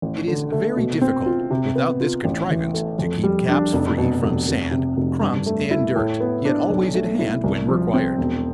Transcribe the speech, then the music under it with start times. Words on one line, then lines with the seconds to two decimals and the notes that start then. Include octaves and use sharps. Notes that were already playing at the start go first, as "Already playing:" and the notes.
It is very Difficult, without this contrivance, to keep caps free from sand, crumbs, and dirt, yet always at hand when required.
0.02 A1
0.27 D3
0.52 A3
0.77 B2
1.02 C4
1.26 F4
1.50 C3
1.75 B3
2.00 F4
2.24 A1
2.50 E3
2.74 A3
2.99 F2
3.23 G3
3.48 D4
3.73 F1
3.98 B2
4.22 F1
4.47 F1
4.71 C3
4.96 F1
5.21 G2
5.46 A3
5.71 E4
5.96 A2
6.20 B3
6.45 D4
6.69 B1
6.94 A3
7.19 E4
7.44 C2
7.68 F3
7.93 C4
8.18 E1